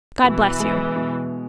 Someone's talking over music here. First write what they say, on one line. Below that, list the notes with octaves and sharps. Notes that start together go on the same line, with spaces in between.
God bless you!'
B2 E3
G#3 B3
B2